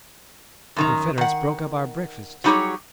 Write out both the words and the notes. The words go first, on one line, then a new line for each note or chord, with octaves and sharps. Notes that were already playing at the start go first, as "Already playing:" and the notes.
The Confederates broke up our breakfast.
F#2 D#3 A#5
D#3 F#5
F#3 G3 D#4 G4 G#4 C#5